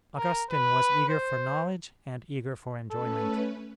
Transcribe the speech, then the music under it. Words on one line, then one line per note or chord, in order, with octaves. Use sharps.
Augustine was eager for knowledge and eager for enjoyment.
A#4
B4
C5
A3 C#4 A4 B4